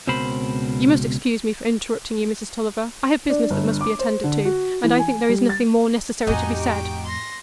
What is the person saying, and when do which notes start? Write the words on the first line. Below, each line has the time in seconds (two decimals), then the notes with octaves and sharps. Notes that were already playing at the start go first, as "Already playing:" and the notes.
"You must excuse me for interrupting you, Mrs. Tulliver; I have business that must be attended to; and I think there is nothing more necessary to be said."
0.07 C#2 B2 C4 A#4 C5 B5
3.29 D4
3.50 G1
3.81 D6
3.99 C5
4.23 D3
4.45 F#4
4.84 E3
4.99 G#5
5.29 G3
5.49 A6
6.27 F2 A2 D#4 F#4 G4 D#5 G#5
6.59 G5 D6
7.05 C6 A#6